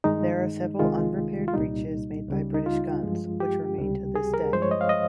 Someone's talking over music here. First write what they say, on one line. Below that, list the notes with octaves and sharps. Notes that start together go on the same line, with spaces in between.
There are several unrepaired breaches made by British guns, which remain to this day.
G2 D#3 G#3 D#4
C2 C3 D#3 G#3 F4
F4
C2 A#2 G3 D#4
C#2 C#3 G3
D#4
F4
G2 F3 G#3
G4
C#2 C3 G3
G#4
A#4
G2 F3 G#3 C5
C#5
D#5
F5
D#5